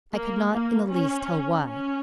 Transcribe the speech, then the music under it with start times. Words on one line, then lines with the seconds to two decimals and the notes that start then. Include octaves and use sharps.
I could not in the least tell why.
0.14 A#3
0.52 A#3
0.90 C#4
1.66 C#4